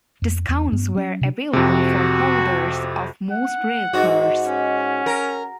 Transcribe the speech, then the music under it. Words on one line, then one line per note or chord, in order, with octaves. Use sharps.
Discounts were available for holders of most Railcards.
F2
E2
G2 B3
F#3 C#4
C3 D4
F2 C3 F#4
F#5
G#2 F#4
C#4
A#4